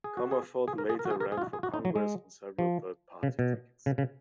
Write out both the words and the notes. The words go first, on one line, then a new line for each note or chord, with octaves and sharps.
Commerford later ran for Congress on several third party tickets.
G#4
F#4
G#4
G#4
A#4
G#4
A#4
F#4
G#4
A#4
G#4
F4
F#4
G#4
F#4
D#4
F#3
G#3
F3
C#3
B2
C#3
C#3